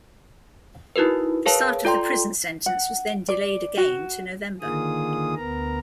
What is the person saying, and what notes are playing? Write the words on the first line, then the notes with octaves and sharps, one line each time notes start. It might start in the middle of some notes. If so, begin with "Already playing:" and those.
The start of the prison sentence was then delayed again, to November.
D#4 E4 F#4 A#4 B4
G#4 A#4 B4 C#5 F5 A5
F4 A4 D5 G5 A#5 C6
F#5
D5
F#4
D3 D#3 A#3 F4 G#4 D#6
D2 B3 A#4 A#5